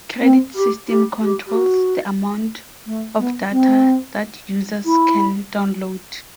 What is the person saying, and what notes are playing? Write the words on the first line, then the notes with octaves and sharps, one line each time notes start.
Credit system controls the amount of data that users can download.
C4
G4
G4
G4
G4
F#4
A3
B3
C4
E4